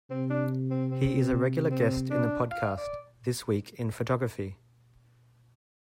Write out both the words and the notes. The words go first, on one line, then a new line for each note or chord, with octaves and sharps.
He is a regular guest in the podcast 'This Week in Photography'.
C3 C4
D4
C4
C4
C4
D4
F5
D5